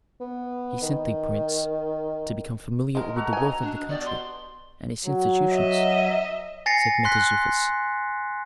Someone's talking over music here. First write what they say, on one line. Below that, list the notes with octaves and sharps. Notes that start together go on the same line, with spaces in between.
"He sent thee, prince, to become familiar with the wealth of the country and its institutions," said Mentezufis.
B3
D#3
G#3 A#4
D#4 F#4 A4 A#5
D#5 G#5
D4
B2 G4 D5
C6
F#3
D#5 E5
G#5 A6 A#6 C7 C#7
C6 F#6 B6